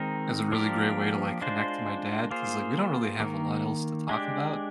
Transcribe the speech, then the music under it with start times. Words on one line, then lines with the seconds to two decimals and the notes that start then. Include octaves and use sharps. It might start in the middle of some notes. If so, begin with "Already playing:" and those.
as a really great way to, like, connect to my dad, 'cause, like, we don't really have a lot else to talk about,
Already playing: D#3 G#3 C4 D#4 A#4
0.52 F3 A#3 D4 G4 A#4
1.41 G#3 D4 F4 C5
2.31 A#3 F4 G#4 C5
3.20 D#3 G3 A#3
4.09 G#3 D4 G4